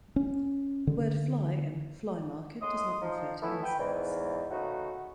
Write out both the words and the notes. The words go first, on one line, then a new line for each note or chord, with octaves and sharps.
The word "Fly" in Fly Market does not refer to insects.
C#4
D3
A2 G#3 C6 D#6
F3 D#4
A3 B3 C#4 E4
B4 G5
E2 G#2
C#3 A3 B3 D#4 F#4